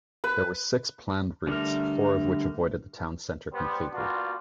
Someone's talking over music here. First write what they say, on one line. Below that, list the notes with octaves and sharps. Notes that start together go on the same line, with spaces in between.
There were six planned routes, four of which avoided the town centre completely.
B4
D3 G3 A3 A#4
G3 B3 C5
G3 A#3 B3 D4 F4 F#4